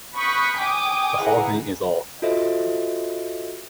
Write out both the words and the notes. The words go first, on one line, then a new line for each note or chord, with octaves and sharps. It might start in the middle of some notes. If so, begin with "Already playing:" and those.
The whole thing is off.
B5 C#6 D#6 F#6 G6 B6
G5 G#5 D6 D#6
E4 G#4 B4 F#5 G#5 A#5
F4 F#4 A4 C5 D#5 E5